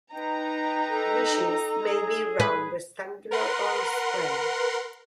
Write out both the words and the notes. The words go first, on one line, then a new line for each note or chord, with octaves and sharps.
Knishes may be round, rectangular, or square.
D#4 B4 G5 A#5
A4
G#4
B4
A#4 B4 F#5 C6